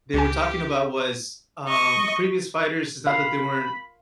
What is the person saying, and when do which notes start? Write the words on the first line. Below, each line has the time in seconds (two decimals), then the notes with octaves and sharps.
they were talking about was, um, previous fighters it's not that they weren't
0.14 C#2 G4 G#5
1.68 D#5 C#6
3.07 F5 B5